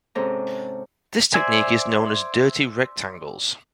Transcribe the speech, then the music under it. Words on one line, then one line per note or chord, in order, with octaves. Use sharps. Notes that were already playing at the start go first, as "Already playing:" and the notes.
This technique is known as dirty rectangles.
G#2 C3 C4 C#4 A4 A#5
C5 D5 E5 G#5